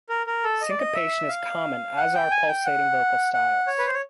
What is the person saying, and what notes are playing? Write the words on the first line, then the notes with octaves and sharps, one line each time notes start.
Syncopation is common, as are pulsating vocal styles.
A#4
A#4
A4
D#5
D5
D#5
E5
F5
F#5
G5
G#5
G5
F#5
F#5
C#5
B4
C5
C#5